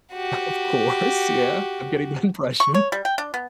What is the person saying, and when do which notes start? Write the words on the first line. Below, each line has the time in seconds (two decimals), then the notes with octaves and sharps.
Of course. Yeah. I'm getting that impression.
0.13 F#4 G4
2.60 C#6
2.74 C#5
2.92 G3
3.05 G5
3.18 D4
3.34 B3